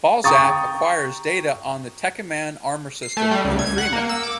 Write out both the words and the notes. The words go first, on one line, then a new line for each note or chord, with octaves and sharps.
Balzac acquires data on the Tekkaman armor system from Freeman.
G5 A#5 C#6 D#6 A6
C7
A3
G3
C#2
G#6
F#5
A#3
E6
D6